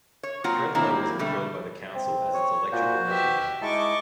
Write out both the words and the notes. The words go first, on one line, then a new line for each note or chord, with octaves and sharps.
Fred Lowe was employed by the council as its electrical engineer.
C#5
F#3 A#3 C4 F4 F#5
D#3 A#3 C4 D4 E4
B2 D3 G3 A3
C4
C#5
A#2 F#4 C5
B2 G4 E5
G#3 D#4 E4 D#5 A5 C#6 D6